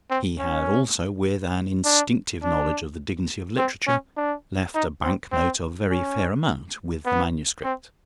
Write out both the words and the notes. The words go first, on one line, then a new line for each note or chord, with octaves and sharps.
He had also, with an instinctive knowledge of the dignity of literature, left a bank-note of very fair amount with the manuscript.
C4
C#4
D4
D4
C4
C#4
D4
D#4
C4
C4
C#4
B3
C4